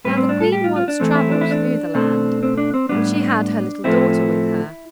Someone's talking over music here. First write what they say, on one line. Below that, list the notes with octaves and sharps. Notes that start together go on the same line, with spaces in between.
Now the queen once travelled through the land, and she had her little daughter with her.
A2 G3 C4 B4
C4
D4
A4
G4
F4
F4
D4
E3 A3 C4
E4
D4
E4
D4
B2 A3 C4
C4
D4
C4
A2 G3 B3 D4
A2 F3 A3 C4 E4